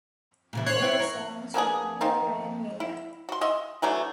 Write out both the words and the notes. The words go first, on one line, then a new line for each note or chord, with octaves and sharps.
All songs written by Ryan Miller.
A#2 C#3 E3
C#4 D#4 C5 C#5 F#6 C7
B3 C4 E4
A#4
A#3 B3 D4 G#4
D#3 C4 D#4
E4
F#4 C6
D#5 E5 C6
E3 F#3 A3 D4